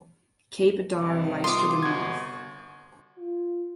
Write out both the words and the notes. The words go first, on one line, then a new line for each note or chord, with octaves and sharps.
Cape Adare lies to the north.
G2 C3 D#3
F4 C6 D6 D#6
G1 F#4 G#6
F4